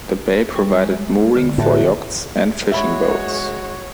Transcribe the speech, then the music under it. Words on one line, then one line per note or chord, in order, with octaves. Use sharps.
The bay provided mooring for yachts and fishing boats.
G3 C#6
G#3
D3
A2 F#4 G4 E5
G#3 F#4 C#5 E5 B5